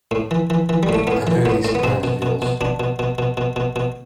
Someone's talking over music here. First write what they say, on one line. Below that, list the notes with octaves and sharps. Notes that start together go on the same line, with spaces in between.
I know these plans of yours.
A2
E3
E3
E3
G3
A2
A3
A2 B3
E3
A2 B3
A2
B3
B2 C4
B2
B2
B2
B2 D4
B2
B2
B2
B2
B2
B2